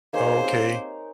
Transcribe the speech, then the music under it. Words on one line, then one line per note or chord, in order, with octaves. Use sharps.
Oh, okay.
A#3 D#4 G#4 C5 C#5
C4 G4 A#4